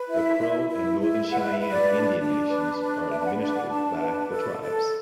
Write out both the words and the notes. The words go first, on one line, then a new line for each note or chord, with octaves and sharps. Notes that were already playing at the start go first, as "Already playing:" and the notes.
The Crow and Northern Cheyenne Indian Nations are administered by the tribes.
Already playing: B4
E4 E5
E4
E4
E4
B4 F#5
E5
B4
D5
D4
D4
B4
D4
B4 E5
A5
F#5
D4 D5
F#5
D4 A5
B4
A4
A4